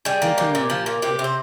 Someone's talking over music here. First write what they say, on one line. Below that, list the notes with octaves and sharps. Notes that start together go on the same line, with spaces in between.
Mhm, yeah
G3 G#4
A#3
A#2 G4
A#2
F3
A#3
C3 G4
C3
C5